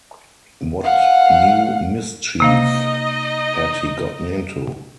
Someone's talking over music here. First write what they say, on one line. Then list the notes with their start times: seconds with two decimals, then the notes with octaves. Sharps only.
What new mischief had he gotten into?
0.83 F5 F#5
2.40 C3 A#3 D#4 D#5 F5